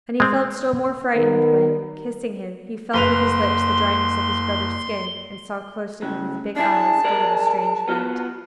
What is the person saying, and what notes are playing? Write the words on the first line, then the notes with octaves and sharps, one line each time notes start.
And he felt still more frightened when, kissing him, he felt with his lips the dryness of his brother's skin and saw close to him his big eyes, full of a strange light.
G#3 C4
D#3 B3 A#4
F#1 B4 C6 F7
A2 C#3 F#3
D4 E4 G#4 A5
G#4 A#4 D5
B3 F4 F#4